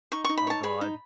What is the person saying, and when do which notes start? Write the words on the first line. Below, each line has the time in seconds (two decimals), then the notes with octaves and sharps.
Oh god.
0.12 D#4 C#6
0.24 C#6
0.29 D#4
0.37 B5
0.47 C#5 A5
0.63 G#4 B5
0.81 D#4